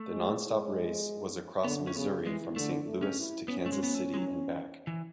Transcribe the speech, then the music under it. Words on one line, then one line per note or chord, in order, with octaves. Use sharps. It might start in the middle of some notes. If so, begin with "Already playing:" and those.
The non-stop race was across Missouri from Saint Louis to Kansas City and back.
Already playing: A3
G#3
G#3
D3 B3
C#4
C#3 B3
E3 G#3
D3 A3
A3
C#4
E4
B3 C#4
A3
G#3
B3
A3
G#3
F#3
E3